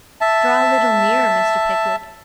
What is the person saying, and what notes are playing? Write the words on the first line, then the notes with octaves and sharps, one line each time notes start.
Draw a little nearer, Mr. Pickwick.
E5 A5